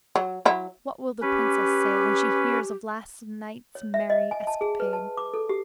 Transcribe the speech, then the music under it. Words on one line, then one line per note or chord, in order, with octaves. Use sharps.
What will the princess say when she hears of last night's merry escapade?
F#3
F#3 E4
C#4 G4 B4
C#5
E5
D#5
G#5
A5
G#4
B4
A5
D6
A4
G4